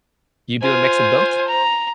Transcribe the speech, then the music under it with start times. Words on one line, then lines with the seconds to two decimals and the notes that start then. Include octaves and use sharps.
You do a mix of both?
0.62 F4 C5 G#5
1.47 A#5